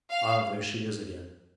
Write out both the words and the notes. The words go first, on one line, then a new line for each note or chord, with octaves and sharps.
Ah, there she is again.'
F5